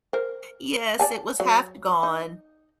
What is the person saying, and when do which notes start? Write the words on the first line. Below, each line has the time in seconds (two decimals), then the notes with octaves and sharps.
Yes. It was half gone.
0.13 A#4 C5
0.99 D5 G#5 A5
1.40 F#3
2.03 D#4